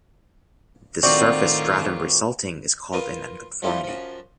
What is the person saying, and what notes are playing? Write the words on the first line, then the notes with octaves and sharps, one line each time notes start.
The surface stratum resulting is called an unconformity.
A2 D#3 C4 F4 F#4 D5
F4 A#4 B4 D#6
F3 G3 E4 F4 G4 A4
F#2 F3